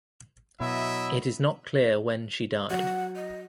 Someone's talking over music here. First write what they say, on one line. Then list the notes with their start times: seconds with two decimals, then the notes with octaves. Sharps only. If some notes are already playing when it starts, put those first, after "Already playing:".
It is not clear when she died.
0.60 B2 F#3 E4 D#5 E5
2.71 F#3 F#5
3.16 D#5